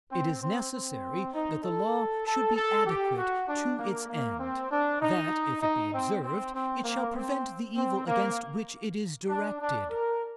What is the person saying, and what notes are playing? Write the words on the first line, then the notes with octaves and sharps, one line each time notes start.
It is necessary that the law should be adequate to its end; that, if it be observed, it shall prevent the evil against which it is directed.
C4
C4
C4
D#4
A4
A4
A4
G4
F#4
D4
A#3
A#3
C4
D4
D#4
D#4
C4
C4
C4
A#3
C4
C4
A#3
D4
D4
A#4